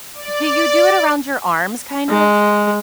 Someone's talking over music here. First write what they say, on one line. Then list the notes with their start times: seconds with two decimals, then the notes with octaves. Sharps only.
Do you do it around your arms, kind of?
0.15 D5
2.09 G#3